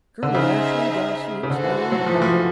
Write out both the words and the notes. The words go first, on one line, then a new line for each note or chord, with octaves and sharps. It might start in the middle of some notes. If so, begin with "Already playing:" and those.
"Colonel Ashley!" Darcy exclaimed.
D3
C#3 D#4 G#4 C5 E5
C#3
D3 F#4 A4 C5
E3
F#3
F3
E3
F3